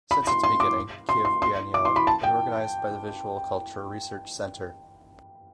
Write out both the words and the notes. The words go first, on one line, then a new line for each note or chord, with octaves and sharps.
Since its beginning Kyiv Biennial is organized by the Visual Culture Research Center.
B5
C6
C6
D6
C6
C6
C6
D6
C6
B5
A5
G5